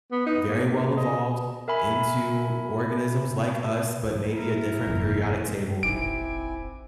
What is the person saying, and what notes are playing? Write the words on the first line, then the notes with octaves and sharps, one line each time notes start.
very-well evolved into organisms like us, but maybe a different periodic table,
B3
D#4
A#3
D#5
A#4 E5 G#5 B5
E4 A#4
F#1 F2 A#2
E1 A1 C4 D#4 E4 G#5 D6 D7